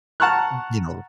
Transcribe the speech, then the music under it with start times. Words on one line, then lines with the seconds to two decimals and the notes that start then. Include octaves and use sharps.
n you know
0.20 F#5 A5 A#5 C#6 F6 F#6